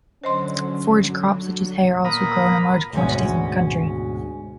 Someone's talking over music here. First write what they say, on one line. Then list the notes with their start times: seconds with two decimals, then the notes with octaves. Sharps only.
Forage crops such as hay are also grown in large quantities in the county.
0.24 D3 F#3 C#4 C5 D#5 C6
2.05 A#2 B3 A#4 A#5 B5 D#6
2.93 D2 G#2 B2 C#4